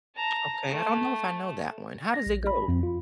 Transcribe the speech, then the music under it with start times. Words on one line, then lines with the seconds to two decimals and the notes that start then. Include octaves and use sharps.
Okay, I don't know if I know that one. How does it go?
0.16 A5 A#5
0.69 A3
2.14 A#6
2.26 A#1
2.47 B5
2.68 F2
2.83 F4